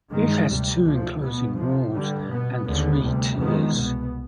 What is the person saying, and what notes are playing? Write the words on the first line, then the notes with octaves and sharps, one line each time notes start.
It has two enclosing walls and three tiers.
G2 D#3 G#3
D2 C3 G3
D2 C3 F3
B2 B3
F2 C3 F3
G2 D3 G3
B2 B3
D#2 D3 G#3 B3
D2 C3 G3
F2 D#3 G#3 B3
C2 B2 B3